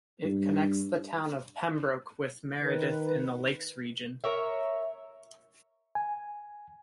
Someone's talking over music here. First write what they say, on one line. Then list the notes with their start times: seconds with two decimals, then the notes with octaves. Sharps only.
It connects the town of Pembroke with Meredith in the Lakes Region.
0.24 G2
2.62 D#3 B4
4.24 A#4 C#5 E5
5.95 G#5